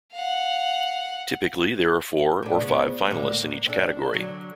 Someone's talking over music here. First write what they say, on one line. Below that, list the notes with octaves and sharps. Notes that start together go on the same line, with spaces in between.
Typically there are four or five finalists in each category.
F5 F#5
A2 D4
C#3 F3 B3
A2 D3
A#3
C4 D4 A4
D3 F#3